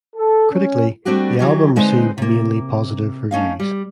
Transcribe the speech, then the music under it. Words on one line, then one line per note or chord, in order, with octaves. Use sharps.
Critically, the album received mainly positive reviews.
A4
C#4
G3 A3 C4 D4 F#4 G4
E3 F#3 G4
D3 G#3 C4 D#4 B4 C5
C3 A#3
A3 C#4 D#4 F5
G3